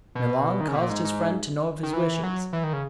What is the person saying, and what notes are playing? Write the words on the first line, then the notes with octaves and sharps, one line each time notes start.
Milon caused his friend to know of his wishes.
B2
D#3
C#3
B2
A#2
G#2
G#2
D#3
E3
F#3
E3
D#3
C#3